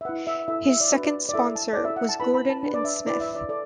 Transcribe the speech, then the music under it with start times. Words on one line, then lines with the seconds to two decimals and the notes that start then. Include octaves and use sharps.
His second sponsor was "Gordon and Smith".
0.01 E5
0.05 E4 B4 F#5
0.27 E5
0.48 E4 A4 E5
0.70 E5
0.80 D5
0.92 D4 F#4 B4
1.04 D5
1.29 D5
1.34 E4 A4 E5
1.56 A5
1.73 E4 A4 D5
1.85 E5
1.96 F#5
2.09 A5
2.20 E4 B4 B5
2.34 B5
2.49 A5
2.63 D4 B4
2.74 D5
2.84 E5
3.06 E4 B4 D5
3.20 E5
3.35 D5
3.49 A4 D5